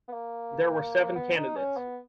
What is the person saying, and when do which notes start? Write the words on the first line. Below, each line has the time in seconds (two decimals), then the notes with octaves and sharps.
There were seven candidates.
0.08 B3
0.13 A#3
1.15 B3
1.36 D#4
1.56 C#4
1.77 B3